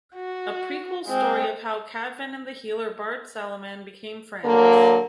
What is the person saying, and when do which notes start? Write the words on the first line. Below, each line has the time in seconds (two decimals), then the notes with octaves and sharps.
A prequel story of how Cadvan and the healer Bard Saliman became friends.
0.15 F#4
1.07 G#3 C4
4.43 D3 F#3 A#3